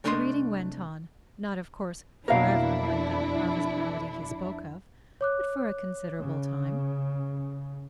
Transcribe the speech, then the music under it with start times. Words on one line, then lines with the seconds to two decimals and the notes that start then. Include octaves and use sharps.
The reading went on, not of course "for ever," like that harvest melody he spoke of, but for a considerable time.
0.04 C2 A3 D4 D#5 G5 C6
2.28 F2 B2 A#3 D4 E4 A#4 F5
5.21 C#5 D6 F#6
6.18 C#3